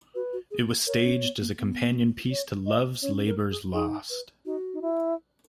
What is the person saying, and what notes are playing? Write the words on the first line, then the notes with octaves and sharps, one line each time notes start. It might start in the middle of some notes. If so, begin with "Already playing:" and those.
It was staged as a companion piece to "Love's Labour's Lost".
F#4 B4
F#4
G#4
A#4 C#5
C#4
B3
A#3
B3
C#5
D#5
C#4 C#5
A#4
G#4
D#4 G#4
B4
D#4 F#4
D#4
E4